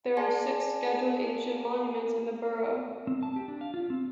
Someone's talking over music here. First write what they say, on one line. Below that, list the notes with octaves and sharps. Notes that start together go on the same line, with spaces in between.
There are six Scheduled Ancient Monuments in the borough.
G#4 D5 G#5 A5 C6
C4
A5
G4
D4
F5
F4
C4